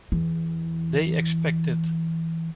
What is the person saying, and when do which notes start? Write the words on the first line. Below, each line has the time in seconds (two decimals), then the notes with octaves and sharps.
They expect it.
0.12 E2 E3